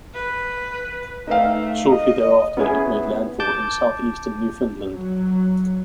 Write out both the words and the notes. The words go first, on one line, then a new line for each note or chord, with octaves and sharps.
Shortly thereafter, it made landfall in southeastern Newfoundland.
B4
A3 D#4 B4 F5
D#5
B3 C#4 E4 G#4
A5 D6 G6
F#3